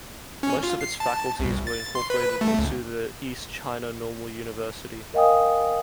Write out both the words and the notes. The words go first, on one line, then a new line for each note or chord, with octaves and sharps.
Most of its faculties were incorporated into the East China Normal University.
C#4
F4
C7
A5
C2
A6
C6
B4
A3
C#2
A#4 D#5 F5 G5 G#5 D#6